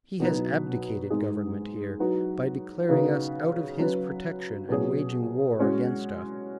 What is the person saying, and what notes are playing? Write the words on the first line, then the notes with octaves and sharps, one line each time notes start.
He has abdicated Government here, by declaring us out of his Protection and waging War against us.
B2 F#3 D#4 B4
G#2 G#3 D#4 G#4
F#3 D#4 F#4 B4
C#3 B3 D#4 F#4 B4
F#3 C#4 B4
B2 F#3 C#4 G#4 C#5
G#3 C#4 F#4